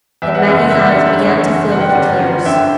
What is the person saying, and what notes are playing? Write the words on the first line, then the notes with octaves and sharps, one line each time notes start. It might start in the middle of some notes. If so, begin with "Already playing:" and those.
Yet Maggie's eyes began to fill with tears.
E2 E5
F#5
F#1 E5
F#5
F#1 E5
F#5
D3 E5
F#5
E2 C#5 E5
F#1
G2 F#5
G5
D5 F#5
G1
G1
D3 E5 G5